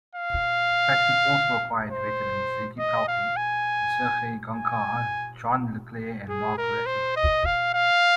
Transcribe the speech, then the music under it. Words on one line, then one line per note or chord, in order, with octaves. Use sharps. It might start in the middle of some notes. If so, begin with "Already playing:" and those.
Patrick also acquired veterans Ziggy Palffy, Sergei Gonchar, John LeClair and Mark Recchi.
F5
C5
D#5
F5
G#5
G#5
G#4
A#4
C5
D#5
F5
F5